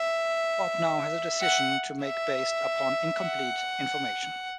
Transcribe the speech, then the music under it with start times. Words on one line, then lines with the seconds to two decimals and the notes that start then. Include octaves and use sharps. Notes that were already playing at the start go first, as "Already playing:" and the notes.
Bob now has a decision to make based upon incomplete information.
Already playing: E5
1.42 F#5
2.02 E5
3.22 F#5